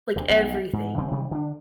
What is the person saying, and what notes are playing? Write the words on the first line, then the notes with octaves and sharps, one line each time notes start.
Like, everything.
D2 C3
B1 B2
G#2
E1 C#3 G3 C4
C3 D#3 F#3 G3
D3 D4